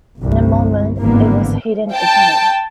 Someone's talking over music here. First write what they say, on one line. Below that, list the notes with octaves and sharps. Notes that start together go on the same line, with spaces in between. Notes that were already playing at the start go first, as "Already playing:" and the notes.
In a moment it was hidden again.
G1 C2
G#1 G2 D3 E3 A#3 B3
G5 A5